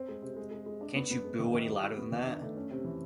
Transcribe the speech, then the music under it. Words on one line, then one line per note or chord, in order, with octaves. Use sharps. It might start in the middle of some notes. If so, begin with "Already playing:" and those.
Can't you boo any louder than that?
Already playing: C4
G#3
C3
G#3
G#3
G#3
D4
B3
B3
G#3
D#3
D#3
G3
E4
B3
D#3
D4
A3
C#4
C3
E3